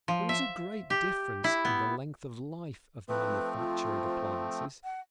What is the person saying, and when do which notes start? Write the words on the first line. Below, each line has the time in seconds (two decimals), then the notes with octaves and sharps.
There is a great difference in the length of life of manufacturing appliances.
0.08 F3
0.29 E5
0.90 G4
1.44 E4
1.65 B3
3.09 F3 A3 C4 B4
3.59 F4
4.84 F#5